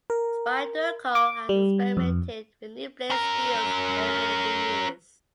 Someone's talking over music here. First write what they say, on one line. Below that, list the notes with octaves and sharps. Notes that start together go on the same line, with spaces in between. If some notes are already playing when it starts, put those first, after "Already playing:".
Spyderco has experimented with new blade steels over the years.
A#4
D6
G3
F2
C#4 A#4